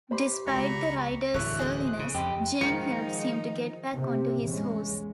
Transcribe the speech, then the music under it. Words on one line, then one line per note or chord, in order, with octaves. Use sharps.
Despite the rider's surliness, Jane helps him to get back onto his horse.
G4 C5 B5 C6
G#1 C#2 A#5 B5 C#6
D1 D3 E3 C#5 E5 F#6
G#4 C5 D#5
C#3
F2 G4 D#5 B5 C6
G#2 D#3 F3 D#4 C#7
C3
E2 G#3 C#4